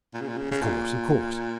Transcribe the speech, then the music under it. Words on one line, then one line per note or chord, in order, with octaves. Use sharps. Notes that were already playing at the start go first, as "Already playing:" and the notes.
'Of course, of course.
A#2
C#3
A#2
C#3
C#3
A#2